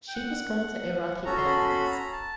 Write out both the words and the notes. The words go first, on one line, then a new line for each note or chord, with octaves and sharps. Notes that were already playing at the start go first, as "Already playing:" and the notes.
She was born to Iraqi immigrants.
G5
F#5
C#4 F#4 A4 A#5
C6
B5
C6
B5
A#5
A5